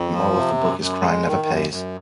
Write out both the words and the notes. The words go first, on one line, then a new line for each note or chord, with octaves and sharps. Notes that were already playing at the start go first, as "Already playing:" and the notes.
The moral of the book is "Crime never pays".
Already playing: F2
F3
C3
F#2
F#2
G#3
D#3
F#2
F#2